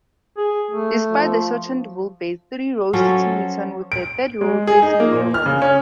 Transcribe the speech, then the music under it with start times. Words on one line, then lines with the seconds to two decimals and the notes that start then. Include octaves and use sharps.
Despite the shortened wheelbase, three-row seating returned, with the third row facing rearward.
0.37 G#4
0.71 A3
1.12 F3
2.93 F3 F#3 C#4 A4
3.92 D7
4.41 G#3
4.67 G#4
4.82 D#4
5.00 A#3
5.12 A#2
5.34 F6
5.46 C#3
5.62 C#4